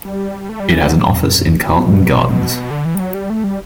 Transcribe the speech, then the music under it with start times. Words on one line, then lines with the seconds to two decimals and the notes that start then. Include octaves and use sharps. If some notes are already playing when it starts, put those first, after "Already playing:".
It has an office in Carlton Gardens.
0.05 G3
0.49 A3
0.60 G3
0.71 E3
0.83 D3
1.09 E2
1.24 F#2
1.38 F#2
1.67 B2
2.71 D3
2.85 E3
2.95 G3
3.00 F#3
3.15 G3
3.30 A3
3.44 G3